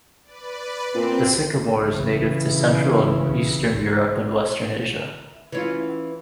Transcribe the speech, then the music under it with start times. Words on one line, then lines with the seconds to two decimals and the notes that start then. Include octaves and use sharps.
The sycamore is native to central and eastern Europe and western Asia.
0.23 B4 D5
0.95 A#2 C4 F#6 G6
1.83 C#3 E3
5.52 E3 C#4 F4